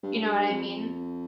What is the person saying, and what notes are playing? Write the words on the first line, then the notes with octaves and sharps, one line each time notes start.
you know what? I mean,
G2
A2
G2
G2
F2
F2